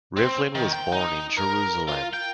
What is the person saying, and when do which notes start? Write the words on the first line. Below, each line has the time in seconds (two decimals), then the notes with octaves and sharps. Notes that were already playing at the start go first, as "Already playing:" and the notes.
Rivlin was born in Jerusalem.
0.17 C4
0.55 D#3
0.73 G5
0.92 D#4
1.37 A#4
1.88 F4
2.13 G5